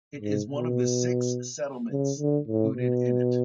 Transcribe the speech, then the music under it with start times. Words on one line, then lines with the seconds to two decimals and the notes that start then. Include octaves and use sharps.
It is one of the six settlements included in it.
0.21 G#2
0.50 B2
1.91 C#3
2.19 D3
2.48 A2
2.76 B2